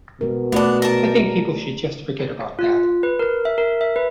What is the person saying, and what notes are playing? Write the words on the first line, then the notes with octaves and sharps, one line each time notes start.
I think people should just forget about that.
B2 G#3 A#4
A3 B3 D4 F#4 D5
A#4 A5
F4
B4
A#4
E5
A#4
E5
B4